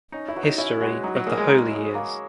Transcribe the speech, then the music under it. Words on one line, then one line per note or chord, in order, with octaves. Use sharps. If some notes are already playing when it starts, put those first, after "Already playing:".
History of the Holy Years.
C#4 D#4
E4
F#4 B4
D#4
C#4 E4
G#3 F#4 B4
F#3 D#4
F#3
A#3 G#4 C#5 E5
G#3
D#4
G#4 C#5 E5
A#3